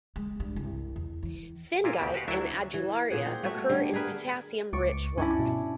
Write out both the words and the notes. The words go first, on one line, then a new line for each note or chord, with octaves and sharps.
Phengite and adularia occur in potassium rich rocks.
G#3
G2
C2
E2
E3
A#2 E4 F4 A#4
D2 B2 G4
F#4 G4 B4 F5 F#5
D2 F#3 D4 E4 E5
E3
A#2 G#4 F#5
C4
A3 B3 F#4 E5
D3 G3
G#4 A#4 B4 E5
C#2 D5 C#6
G2 C#4 D4 E4
B2